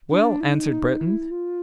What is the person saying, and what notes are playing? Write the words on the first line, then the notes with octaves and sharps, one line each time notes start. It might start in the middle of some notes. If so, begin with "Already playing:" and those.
"Well," answered Breton.
D4
E4
D#4
E4
F4